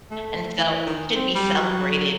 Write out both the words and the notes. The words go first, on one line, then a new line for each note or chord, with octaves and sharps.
And so it should be celebrated
A3
E3
D#3
C4
G3
F#3